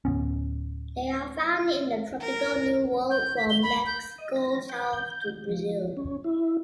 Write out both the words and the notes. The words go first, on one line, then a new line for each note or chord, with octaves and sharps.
They are found in the tropical New World from Mexico south to Brazil.
D1 A2 B3 C#4
A#4
G6
B6
G7
B5
G6
D#5
A#6
G5
G6
F3
C#4
E4